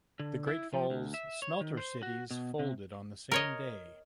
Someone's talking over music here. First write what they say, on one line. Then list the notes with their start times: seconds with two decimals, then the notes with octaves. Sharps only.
The Great Falls Smelter Cities folded on the same day.
0.19 D3
0.47 E4
0.74 F3
0.90 D2
1.14 E5
1.42 C#5
1.61 D#3
1.77 C5
2.03 F#4
2.31 B2
2.59 C3
3.32 A#4 C#5 D#5